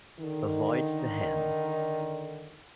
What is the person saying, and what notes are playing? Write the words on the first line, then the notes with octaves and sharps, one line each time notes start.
Avoid the ham.
D3 D#3